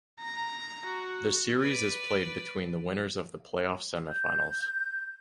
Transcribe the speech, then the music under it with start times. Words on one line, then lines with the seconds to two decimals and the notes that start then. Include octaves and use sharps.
The series is played between the winners of the playoff semifinals.
0.20 A#5
0.86 F#4
1.59 B4 D5
4.08 G6